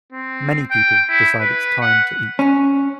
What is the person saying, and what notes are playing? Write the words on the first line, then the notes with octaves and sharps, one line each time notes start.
Many people decide it 's time to eat.
C4
G5
E4
B4
F#5
C#4